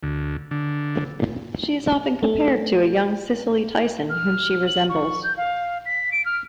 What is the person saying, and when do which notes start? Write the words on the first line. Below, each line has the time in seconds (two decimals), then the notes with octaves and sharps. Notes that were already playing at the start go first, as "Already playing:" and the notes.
She is often compared to a young Cicely Tyson, whom she resembles.
0.03 D2
0.51 D3
2.23 A3
4.10 F6
4.67 F#7
4.89 C#6
5.24 G6
5.37 F5
5.86 B6
6.12 D7
6.26 F6